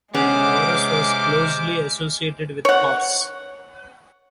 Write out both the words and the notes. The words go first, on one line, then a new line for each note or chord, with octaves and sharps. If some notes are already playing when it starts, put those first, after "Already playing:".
Boreas was closely associated with horses.
C3 G#3 B3 C#4 G#4 C5 D6 F6
C#5 F#5